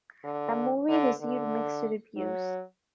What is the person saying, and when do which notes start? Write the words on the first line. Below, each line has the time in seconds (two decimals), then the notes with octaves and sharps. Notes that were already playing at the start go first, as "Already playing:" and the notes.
The movie received mixed reviews.
0.24 D3
0.89 D3
1.21 D3
2.17 F#3